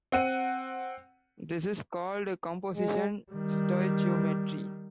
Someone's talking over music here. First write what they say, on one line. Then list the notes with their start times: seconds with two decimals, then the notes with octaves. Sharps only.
This is called "composition stoichiometry".
0.12 C4 F#5 D#7
2.74 G#3
3.32 D#3 G3